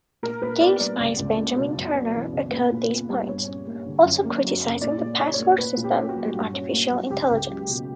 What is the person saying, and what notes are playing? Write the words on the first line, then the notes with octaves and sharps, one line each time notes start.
GameSpy's Benjamin Turner echoed these points, also criticizing the password system and artificial intelligence.
A#2 A#4
A#2 B4
B3 D5
G3 D5
C#2 D5
C#2
A#3
B2
F#2
B3
E3
C#3
A#2 B4
A#2
B3
G3
G2 C#5
C#4
A#3
D3
F#2
A#3
F#3
C#3
A#2 D5
A#2
C#4 C#5
D5
C#5
A#3
A#2 B4
A#2
G4
C#4
F#4
F#3
G2
C#4
A#3
F#3
C#2 G4
C#2
F#3
B2